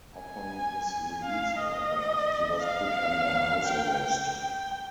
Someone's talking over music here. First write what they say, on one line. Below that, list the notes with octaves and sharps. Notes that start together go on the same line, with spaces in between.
Upon his release however, he was put under house arrest.
G#5
F5
D#5
F5
G5
G5